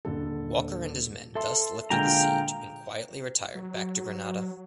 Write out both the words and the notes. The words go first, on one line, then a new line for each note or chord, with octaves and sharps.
Walker and his men thus lifted the siege and quietly retired back to Granada.
D#1 D3 A4
A4 E5 C6
A#2 D3 G#3 F5 G5 A#5
F#3